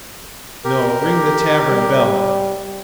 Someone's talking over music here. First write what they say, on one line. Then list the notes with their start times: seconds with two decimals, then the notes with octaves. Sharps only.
"No. Ring the tavern bell!"
0.64 G4 A#4
1.70 G3